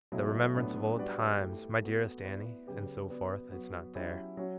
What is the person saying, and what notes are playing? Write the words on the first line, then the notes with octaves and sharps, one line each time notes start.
"The remembrance of old times, my dearest Annie"--and so forth--it's not there.
B2 F#3 A3 E4
A2 F#3 B3 D4
G3 D4 F#4 B4 D5
A3 E4 G4
B3 F#4 A4
B3 E4 B4 D5
C#3 F#3 C#4 G4 B4
B3 F#4 B4 D5
F#3 B3 F#4 B4
F#3 C#4 E4 G4
F#3 C#4 F#4